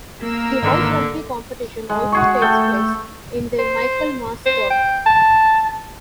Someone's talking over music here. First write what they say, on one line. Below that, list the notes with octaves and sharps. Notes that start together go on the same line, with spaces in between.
The house rugby competition also takes place in the Michaelmas term.
A#3 A#4 E6
G#1 D3 D#4 B4
G#3
F#4 G#4 C#6
A3 A4 G5
C5
C5
G5
A5